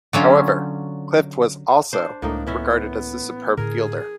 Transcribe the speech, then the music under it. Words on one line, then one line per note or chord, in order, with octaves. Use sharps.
However, Clift was also regarded as a superb fielder.
D3 F#3 C#4 F4
D4 C5
C#2 A2 G#3 A#3 D4 D#4
E3 B3 C#4 E5
A2 D3 G#4 A#4